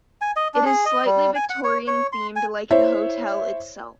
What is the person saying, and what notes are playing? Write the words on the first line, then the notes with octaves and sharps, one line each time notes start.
It is slightly Victorian themed, like the hotel itself.
G#5
D#5
D4
G#4
D#5
G3
G#5
F#5
C#5
C#5
C6
G#5
E4 C5 C#5 E5